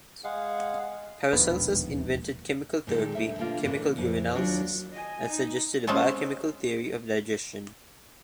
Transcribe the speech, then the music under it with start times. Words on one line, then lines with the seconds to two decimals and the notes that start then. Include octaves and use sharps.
Paracelsus invented chemical therapy, chemical urinalysis, and suggested a biochemical theory of digestion.
0.24 G#3 G#4 F5 F#5
1.33 E1 A#1 D#2 B3
2.87 A#2 D#3 G#3 A4
3.15 D2 E5
3.38 B2 D3 A#3 F4 F5
3.63 A2 D3 E3 A#3
3.97 F2 C#3 E3
4.35 D#2 F#3 D4 F4 F#4 C5
4.92 D#5 G#5
5.27 D#4
5.87 G#3 A3 C4 C#4 F4